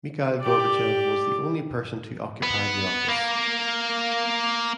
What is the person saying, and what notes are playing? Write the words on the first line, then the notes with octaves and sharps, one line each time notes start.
Mikhail Gorbachev was the only person to occupy the office.
G4 D5
B3
A#3